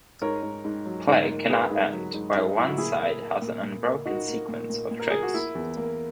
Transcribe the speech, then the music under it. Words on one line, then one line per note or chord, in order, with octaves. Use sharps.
Play cannot end while one side has an unbroken sequence of tricks.
G#2 A#4 C#5
G#2
G#2
F#3
G#2
A#3
A#3 G#4 B4
G#2
F#3
G#2
G#2
D#4
F#3 E4
F#4
A#2 E4 G#4
A#3
A#3
A#2
A#2
A#3
A#3 D#4 F#4
A#3
A#2
A#2
A#2
A#4
A#3 G#4
F#4
A#3 E4
E2
A#3